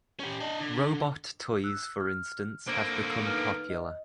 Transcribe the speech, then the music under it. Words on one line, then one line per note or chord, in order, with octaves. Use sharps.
Robot toys for instance have become popular.
C#4 G4
D4 D#5
D3
E6 F#6
F6
D3 A#3 C5
D#4 B4 F6
D#5